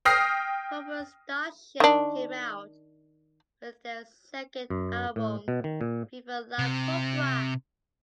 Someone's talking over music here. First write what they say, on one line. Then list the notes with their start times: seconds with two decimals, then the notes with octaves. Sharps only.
Cobra Starship came out with their second album, “¡Viva la Cobra!”.
0.05 G5 D#6 F6 A#6 C7
1.80 D#3 D4
4.70 F#2
5.16 A2
5.48 B2
5.64 D#3
5.81 A#2
6.59 C3